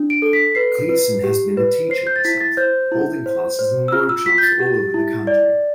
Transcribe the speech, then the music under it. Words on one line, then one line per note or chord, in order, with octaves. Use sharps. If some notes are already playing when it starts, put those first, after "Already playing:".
Gleason has been a teacher herself, holding classes and workshops all over the country.
Already playing: D4
D7
A4
B6
B4 C7
B4
G4
B4
C5 C7
G6
A6
E4 B6
A6
C5 G6
E4
C5
C5
E6
F4 F6
E6
F4 B6
G6
A6
G4
E4
D5